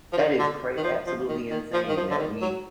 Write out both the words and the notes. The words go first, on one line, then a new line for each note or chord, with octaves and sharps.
That is cra absolutely insane that we
F3
D#3
D3
D#3
F3
F3
D#3
D#3
F3
D#3
F3
D3
D#3
F#3